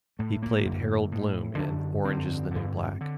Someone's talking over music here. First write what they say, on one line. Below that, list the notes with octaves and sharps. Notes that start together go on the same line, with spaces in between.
He played Harold Bloom in "Orange is the New Black".
A2 A3
A#3
F#2 D3
A2
F#2 D3 D4
G2 D3 C4
G2 D3
D3